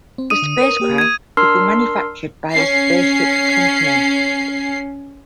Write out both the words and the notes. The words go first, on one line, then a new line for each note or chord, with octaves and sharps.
The spacecraft would be manufactured by The Spaceship Company.
C4
D4 D#6 D#7
D3
A#4 B4 C#5
A#3 G4 A#4
G#6 D#7
D4 A#4 C6 E6 F6 C7
C#4 C7